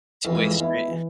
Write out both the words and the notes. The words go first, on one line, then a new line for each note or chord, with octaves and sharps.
two way street.
F2 E3
G#2
F2
G#3 B3 E4
E3